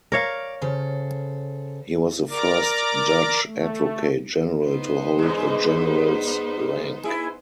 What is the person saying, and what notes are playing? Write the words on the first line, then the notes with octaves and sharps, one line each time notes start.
He was the first Judge Advocate General to hold a general's rank.
A#4 C#5 D5 F5
C#3 A4 C5
A#4 D5 A#5 D6
A3
B3 D#4 C5
G2 G#3
E4 G#4